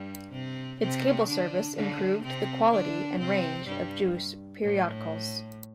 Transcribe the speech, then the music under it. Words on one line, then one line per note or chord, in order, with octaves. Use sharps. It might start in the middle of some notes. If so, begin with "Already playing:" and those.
Its cable service improved the quality and range of Jewish periodicals.
Already playing: G2 G3
C3 C4
C3 C4
D3 D4
D3 D4
C3 C4
D3 D4
C3 C4
G2 G3
A2